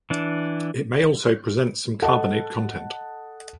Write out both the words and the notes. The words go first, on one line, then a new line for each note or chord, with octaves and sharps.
It may also present some carbonate content.
E3 D4
A4 D#5 F#5 A5